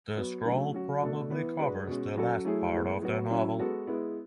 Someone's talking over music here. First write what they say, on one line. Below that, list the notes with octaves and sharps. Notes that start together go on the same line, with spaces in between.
The scroll probably covers the last part of the novel.
F#3 B3 F#4
D3 F#3 A3 C#4
F#3 C#4 F#4
B2 A3 D4 A4
E3 B3 E4 B4
G#3 D4 F#4 B4
B2 G#3 C#4
F#3 C#4 F#4 A4
F#3 A3 E4 G#4
A2 G#3 B3
F#3 B3 F#4
F#3 C#4 E4
G#3 B3 F#4 A4
G#3 B3 E4